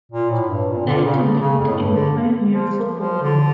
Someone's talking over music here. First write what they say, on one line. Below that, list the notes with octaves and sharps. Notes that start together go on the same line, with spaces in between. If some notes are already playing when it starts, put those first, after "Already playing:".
They compete in the Pioneer Football League.
A#2
A2
G2
A#2
D3
A#2
C#3
D3
C#3
F2
A2
G2
D3
F3
F3
D3